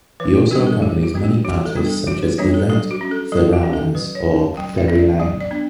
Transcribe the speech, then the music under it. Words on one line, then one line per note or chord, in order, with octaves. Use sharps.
He also accompanies many artists such as Yvette Théraulaz or Thierry Lang.
E3 B4
F#4
G3 B3 D4 G4
A4
E3 G4
F#4
G3 B3 D4
G4
E3 F#4
A4
G3 B3 D4
A4
E3 F#4
B4
G3 B3 D4 C#5
A4
F#3 A4
F#4
C#4
A4
F#3 A4
F#4
C#4
A4
F#3 B4
C#5
C#4
A5
F#3 G5
E5
C#4
D5
F#3 D5
D5
B3 D4